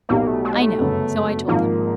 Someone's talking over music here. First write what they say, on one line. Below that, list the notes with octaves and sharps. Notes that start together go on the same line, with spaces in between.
I know; so I told him.
B1 B2 G3 A#3
A3
A3
G#3
A3
G1 F#2 C#3 F#3 B3
G#1 G#2 F3 G#3 A#3